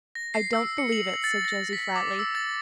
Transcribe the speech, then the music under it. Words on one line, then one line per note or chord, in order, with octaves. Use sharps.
"I don't believe it," said Josie flatly.
A#6
C7
E6
C#7
F#7
A6
A#6
B6
D6
E6
A6